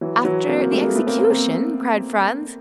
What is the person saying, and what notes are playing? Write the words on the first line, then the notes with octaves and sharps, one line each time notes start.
"After the execution?" cried Franz.
E3 F#3
E3 F#3
A#3 C4
A#3 C4
G3 A3
G#3 A#3
A3 B3
A#3 C4
A#3 C4
A#3 C4